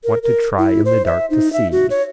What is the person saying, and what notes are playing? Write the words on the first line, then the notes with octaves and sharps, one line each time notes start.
Want to try in the dark to see.
A#4
A#4
E4
C5
E5
D#4
E5
F#4
C#5